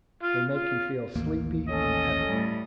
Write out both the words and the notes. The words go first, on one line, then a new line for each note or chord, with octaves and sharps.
They make you feel sleepy and heavy.
F4
F4
A1 D#2 A#3
C#4 A4 D#5
A2 G3